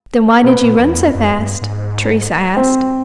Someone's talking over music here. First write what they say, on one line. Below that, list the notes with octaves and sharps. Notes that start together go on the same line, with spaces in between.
"Then why did you run so fast?" Teresa asked.
B2 B3
A#2
F2
E2
F2
F#2
G2
G#2
C4